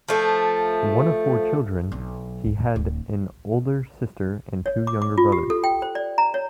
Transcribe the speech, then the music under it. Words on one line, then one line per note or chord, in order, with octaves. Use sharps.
One of four children, he had an older sister and two younger brothers.
F3 A3
B1
D1
C#5
D6
D6
F4
G4
A4
G5
C5
D5
A#5
C#5